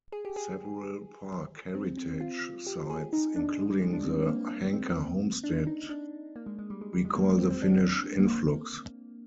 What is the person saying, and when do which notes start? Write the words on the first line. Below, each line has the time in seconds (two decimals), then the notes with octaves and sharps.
Several park Heritage Sites, including the "Hanka Homestead", recall the Finnish influx.
0.12 G#4
0.25 G4
0.36 G#4
1.75 C4
1.97 C4
2.21 F4
2.67 G4
2.90 G#4
3.13 D#4
3.36 D4
3.59 G#3
3.70 G3
3.82 G#3
3.93 D4
4.05 C4
4.28 A#3
4.51 A#3
4.74 C4
5.44 D4
5.67 D#4
5.89 D4
6.36 A#3
6.46 G#3
6.59 G#3
6.70 G3
6.81 G#3
6.93 G3
7.05 G#3
7.16 A#3
7.28 G#3
7.39 C4
7.51 C4
7.62 D4
7.74 C4
8.19 A#3